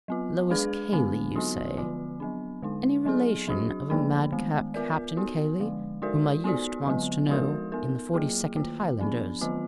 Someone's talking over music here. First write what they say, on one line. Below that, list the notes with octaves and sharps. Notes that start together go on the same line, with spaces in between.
Lois Cayley, you say; any relation of a madcap Captain Cayley whom I used once to know, in the Forty-second Highlanders?'
F#3 B3 F4
G#3 D4 G#4 B4
D3 G#3 B3 D4
F#3 B3 D#4 F#4
D3 F3 B3 F4
F#3 B3 D4
D3 G#3 D#4
F#3 B3 D#4 G#4
F#3 D4 F#4
D3 F3 A#3 D4
D#3 G#3 B3
B3 F4 A#4 D5
B3 D#4 F#4
D3 F3 G#3
G#3 D#4 F#4 A#4 D5
B3 D#4 F#4 D5
D3 F#3 B3
F3 G#3 D#4 F#4 A#4
B3 D#4 A#4
F#3 A#3 F4 G#4
D#3 A#3 F4
F3 B3 D4
D#3 F#3 B3 F4